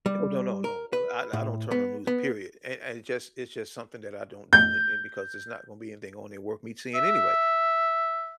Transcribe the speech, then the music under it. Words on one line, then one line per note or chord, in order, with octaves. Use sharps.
Oh, no, no, no I I don't turn on news, period and and it just it's just something that I don't do and and because there's not gonna be anything on there worth me seeing anyway.
G3
A#4
B4
A2
B3
B3
G6
E5